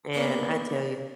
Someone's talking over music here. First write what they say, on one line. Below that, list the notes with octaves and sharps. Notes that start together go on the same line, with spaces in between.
And I tell ya
A#3 B3 D4 D6